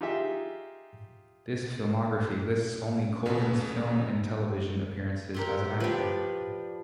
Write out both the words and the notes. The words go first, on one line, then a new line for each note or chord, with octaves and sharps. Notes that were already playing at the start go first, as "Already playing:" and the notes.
This filmography lists only Kolden's film and television appearances as an actor.
D#4 F4 G4 G#4 E5
D#2 C#3 A3 B3
C4 G4 A#4
F3 D4 G4 B4